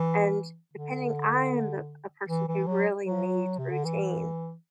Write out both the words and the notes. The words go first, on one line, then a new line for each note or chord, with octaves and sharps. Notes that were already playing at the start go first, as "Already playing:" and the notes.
and depending I am the a person who really needs routine,
Already playing: E3
D3
E3
E3
F#3
F#3
C3
D3
E3